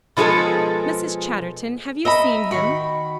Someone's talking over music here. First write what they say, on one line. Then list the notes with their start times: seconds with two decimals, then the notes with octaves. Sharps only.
"Mrs. Chatterton, have you seen him?"
0.17 B2 F3 G#3 G#4 A4
2.05 D#5 E5 A#5 B5
2.51 D#3 F#4 B5 C#6